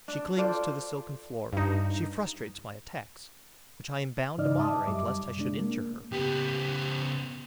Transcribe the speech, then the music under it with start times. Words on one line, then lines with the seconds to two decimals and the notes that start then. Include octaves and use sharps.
She clings to the silken floor, she frustrates my attacks, which I am bound to moderate lest I should injure her.
0.08 D4
0.37 F4 A4 C5 D5
1.53 G2 D#4
4.38 G#2 C#3 D#4 D5 D#5 F6
4.59 E5 A5 D6 D#6
4.87 F#2 G3 D6
5.37 C3 G#3 D4
5.58 A#3
6.12 C#3 B3 G4